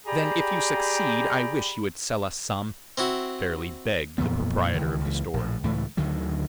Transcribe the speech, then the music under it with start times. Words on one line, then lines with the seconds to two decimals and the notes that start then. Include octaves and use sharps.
"Then if you succeed I wish you would sell us some," fairly begged the proprietor of the store.
0.06 G4 G#4 D5 G5 A#5 B5
2.98 C4 E4 F#4
4.18 F2 A#2 E3 B3
4.73 C#2 D#3 E3
5.01 C#2 E3
5.34 A#1 A2
5.63 C#2 A2 E3 A3
5.97 D2 D3 D#3 F#3